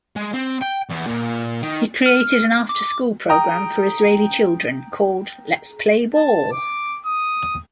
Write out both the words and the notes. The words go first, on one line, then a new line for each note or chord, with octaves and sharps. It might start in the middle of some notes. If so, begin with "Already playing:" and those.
He created an after-school program for Israeli children, called Let's Play Ball!
G#3
C4
G5
E2
A#2
D#3
F6
D6
G5 A#5 D#6
A5
D6
D#6